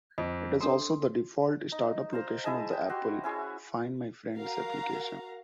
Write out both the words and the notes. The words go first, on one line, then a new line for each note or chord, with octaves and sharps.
It is also the default startup location of the Apple "Find my Friends" application.
F2 D#5
D4 A4 A#4 C6
D#4
C5 F5 A#5
E4 G#4 D#5 A5
G5
F#4 G4 C6
C#4 E4 G#4
F#4 A#4 F5 A#5